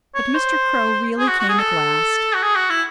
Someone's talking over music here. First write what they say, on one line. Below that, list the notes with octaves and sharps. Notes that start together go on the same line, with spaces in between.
But Mr. Crow really came at last.
C#5
C5
G#4
F#4
F#4
G#4
A4
F#4
G#4
F#4
E4